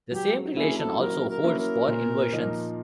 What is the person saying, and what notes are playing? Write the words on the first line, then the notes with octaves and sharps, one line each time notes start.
The same relation also holds for inversions.
F#3 G4
A#3 C#4 E4 G#4
A4
F#3 A#4
A#4
A#3 C#4 E4
A#4
A#2
F3 A#3 D#4